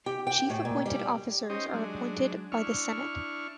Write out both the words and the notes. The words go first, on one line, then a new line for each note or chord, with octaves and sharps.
Chief appointed officers are appointed by the senate.
G4
G5
A2
A#2
G3
C#4 D#4 G4 C5 D#5
F#3 G#3 D4
D4 E4 C#6 F6